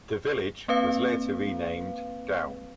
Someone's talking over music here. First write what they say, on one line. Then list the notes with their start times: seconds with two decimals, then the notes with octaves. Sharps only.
The village was later renamed Downe.
0.68 A#3 C4 B4 F5